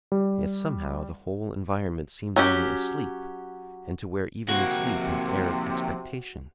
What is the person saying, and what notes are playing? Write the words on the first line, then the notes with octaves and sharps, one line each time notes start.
Yet somehow the whole environment seemed only asleep, and to wear even in sleep an air of expectation.
G3
F#3 C#4 G4
F2 C3 A#3 F#4